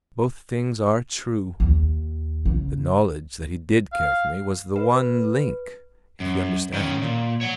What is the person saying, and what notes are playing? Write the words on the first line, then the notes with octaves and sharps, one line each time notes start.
Both things are true. The knowledge that he did care for me was the one link, if you understand.
D#2
C#3
F5
B4
F#2
D#3 C#4
A#2
C#5 F#5